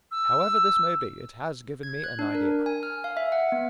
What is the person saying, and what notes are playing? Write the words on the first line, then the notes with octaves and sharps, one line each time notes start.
However this may be, it has given me an idea.
E6
G#6
F#6
D4
A#4
G#5
F6
F5
E5
F#5
B3